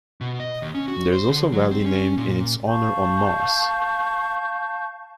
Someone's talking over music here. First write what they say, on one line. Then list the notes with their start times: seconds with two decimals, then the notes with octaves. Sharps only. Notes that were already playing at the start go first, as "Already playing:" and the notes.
There is also a valley named in its honor on Mars.
0.21 B2
0.40 D#5
0.62 D#2
0.75 C#4
0.88 F#4
1.12 C5
1.29 D3
1.52 F#3
1.71 C4
1.86 C#4
2.17 A#2
2.68 F5 A5 C#6 G6